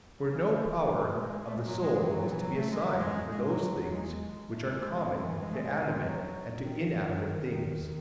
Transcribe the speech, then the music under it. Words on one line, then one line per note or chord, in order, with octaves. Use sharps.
For no power of the soul is to be assigned for those things which are common to animate and to inanimate things.
F#3
E3
A3
G#3
A3
G#3
F#3
G#3
E3
F#3
E3
F#3
A3
G#3
F#3
G#3
G#3
F#3
F#3
G#3
G#3
A3
G#3
G#3
G#3
D#3
E3
G#3
A3
G#3
F#3
D#3
D#3
D#3
D#3